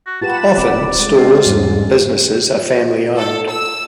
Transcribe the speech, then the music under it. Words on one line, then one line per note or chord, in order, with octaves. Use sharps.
Often stores and businesses are family owned.
F#4
F4 G4 B4 F#5 A5 B5 E7
D1 C4 D5
G#3
C4 D4 F4
E2 G#2 G3 C#4
A4
E6